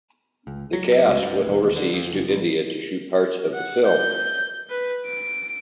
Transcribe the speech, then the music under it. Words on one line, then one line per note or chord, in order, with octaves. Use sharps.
The cast went overseas to India to shoot parts of the film.
C#2
F#3
C#2
G2
A2
E1
D#2
D3
F2
F#1
A1
F#5
G6
B4
D7